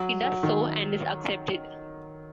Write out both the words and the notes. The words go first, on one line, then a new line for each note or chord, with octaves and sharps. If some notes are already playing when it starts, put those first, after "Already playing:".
He does so and is accepted.
Already playing: F#3
F#3
D#3